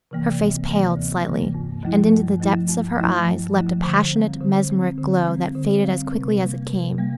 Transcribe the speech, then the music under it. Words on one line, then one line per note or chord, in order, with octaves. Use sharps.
Her face paled slightly, and into the depths of her eyes leapt a passionate, mesmeric glow that faded as quickly as it came.
C3 E3 A#3
D2
C3 E3 A#3
D2
C3 E3 A#3
G2
F3 A3 E4
G2
F3 A3 E4
G2
F3 A3 E4
G2
F3 A3 E4
D3
G3 C4
D3
G3 C4
D3
G3 C4
D3
G3 C4
C3
G3 A#3
C3
G3 A#3